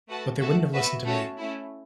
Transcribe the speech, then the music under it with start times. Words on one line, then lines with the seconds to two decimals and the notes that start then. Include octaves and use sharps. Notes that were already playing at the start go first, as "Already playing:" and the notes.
But they wouldn’t have listened to me.
0.08 A3 F#4 B4 F#5 A5
0.40 A3 F#4 A4 E5 A5
0.73 B3 F#4 B4 E5
1.05 A3 C#4 F#4 C#5 A5
1.38 A3 C#4 E4